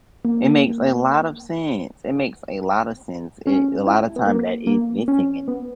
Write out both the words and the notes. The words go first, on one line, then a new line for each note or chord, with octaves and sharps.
It makes a lot of sense. It makes a lotta sense. Eh, a lotta time that is missing and
A#3
C#4
E4
B3
A#3
A#3
C#4
B3